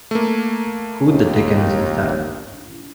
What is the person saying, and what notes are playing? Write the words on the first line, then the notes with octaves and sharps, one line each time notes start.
Who the dickens is that?
A3 A#3
D#2